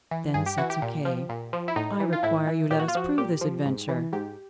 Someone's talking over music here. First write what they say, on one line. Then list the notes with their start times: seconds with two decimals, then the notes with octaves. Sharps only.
Then said Sir Kay: I require you let us prove this adventure.
0.11 E3
0.34 G2 G#4
0.46 G4
0.58 E3 F#4
0.70 G4
0.82 A#2
1.05 F3
1.29 A#2
1.53 F3
1.68 E4
1.76 A2 D#4
2.00 E3
2.13 F4
2.23 A2 E4
2.47 E3
2.71 A#2 G4
2.80 F#4
2.88 F4
2.95 F3 F#4
3.18 A#2 G4
3.41 F3
3.65 G#2
3.89 E3
4.13 G#2 G4